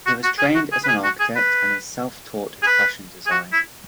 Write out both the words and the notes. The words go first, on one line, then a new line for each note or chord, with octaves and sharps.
He was trained as an architect and is self-taught in fashion design.
F#4
F#4
G#4
F#4
G#4
B4
G#4
F#4
G#4
B4
G#4
B4
G#4
F#4
E4